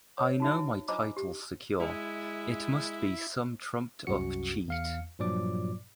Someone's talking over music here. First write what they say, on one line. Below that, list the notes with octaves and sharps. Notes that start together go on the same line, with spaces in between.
I know my title's secure, it must be some trumped-up cheat.
C#5
D#4 F#4 E5
D4 F4 C5 D#5 A#5 D6
G4
G#3 E4
C2 F#2 F#4 C#7
E2 F5 C#7
G2 A#2 F3 F#3 D5 D6